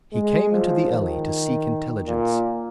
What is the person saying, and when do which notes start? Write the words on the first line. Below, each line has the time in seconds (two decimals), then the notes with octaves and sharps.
He came into the alley to seek intelligence.
0.13 G#3
0.51 F3
0.90 D#3
2.08 A#2